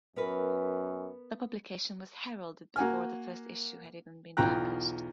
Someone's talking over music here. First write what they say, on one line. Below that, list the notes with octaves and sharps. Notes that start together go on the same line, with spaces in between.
The publication was heralded before the first issue had even been published.
F#2 B3 A#4 B4
A#3 F#4 G#5 F6
B1 E2 F4 G5 A#5 F#6